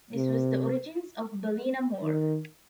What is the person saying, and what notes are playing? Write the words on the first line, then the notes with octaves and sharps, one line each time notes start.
This was the origins of Ballinamore.
C3
D#3